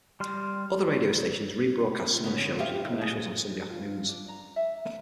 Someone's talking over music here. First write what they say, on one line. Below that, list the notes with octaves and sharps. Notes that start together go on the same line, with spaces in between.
Other radio stations rebroadcast some of the shows with commercials on Sunday afternoons.
G3 C6 F6
D3 B3 C#4
F4 G4 E5
D#2
G#4
F4
D4
A#5
E5